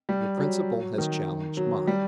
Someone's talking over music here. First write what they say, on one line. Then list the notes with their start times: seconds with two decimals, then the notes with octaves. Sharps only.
Your principal has challenged mine.
0.09 G3
0.38 F#3
0.98 D#3
1.57 F#3
1.87 G3